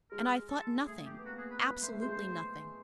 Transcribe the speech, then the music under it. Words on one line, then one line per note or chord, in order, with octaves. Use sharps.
And I thought nothing; absolutely nothing.
G#3 A#4
A4
A3 G#4
G4
B3
A#3 F#4
G#4
B4
B3 B4
A#3
A3 C5
A3
G#3 C5